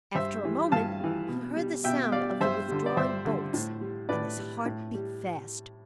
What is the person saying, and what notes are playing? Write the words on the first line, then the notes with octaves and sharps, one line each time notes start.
After a moment, he heard the sound of the withdrawing bolts, and his heart beat fast.
G2 C5 E5
E3 G3
G2 F5 A5
E3 G3
B2
G3
B2 E5 G5
G3 D5 F5
G2 C5 E5
D3 G3
D5
G2 C5 E5
D3 G3
A2
G3
A2 B4 D5
G3
A2
G3